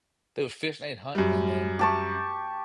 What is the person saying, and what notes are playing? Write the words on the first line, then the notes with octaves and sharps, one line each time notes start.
they would fish and hunt and then
F#2 G3
G4 A5 C#6